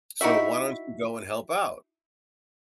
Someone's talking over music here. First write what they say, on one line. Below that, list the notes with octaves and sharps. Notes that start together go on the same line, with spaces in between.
so, why don't you go and help out?"
D#4 E4 F#4 E5